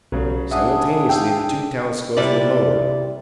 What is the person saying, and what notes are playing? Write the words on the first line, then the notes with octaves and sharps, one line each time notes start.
Simultaneously the two telescopes were lowered.
B1 C#3 F#3
D4 G#4 E5 F#5 D#6
F5 G5 E6
C3 G3 E4 D5